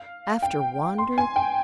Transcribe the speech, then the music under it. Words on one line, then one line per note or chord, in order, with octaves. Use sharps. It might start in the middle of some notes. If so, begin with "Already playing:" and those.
After Wander?
Already playing: F5
G5
C6
G#5
G5